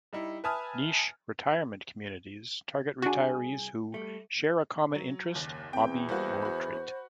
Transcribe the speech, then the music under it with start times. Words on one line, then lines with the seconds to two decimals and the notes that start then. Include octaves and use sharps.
Niche retirement communities target retirees who "share a common interest, hobby or trait".
0.13 G3 D#4 E4
0.44 B4 E5 G#5 A5 D#6 F6
3.02 C2 D4 F#4 G#4
3.94 G3 A3
4.95 F#3
5.35 F#1 D#2
5.73 E2 C4 G5
6.09 G3 A#3 F#4 C5
6.42 F#4 B5